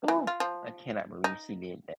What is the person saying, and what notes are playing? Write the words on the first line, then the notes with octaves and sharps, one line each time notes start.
ooh, I cannot believe she did that.
E3
F4
F3
D#4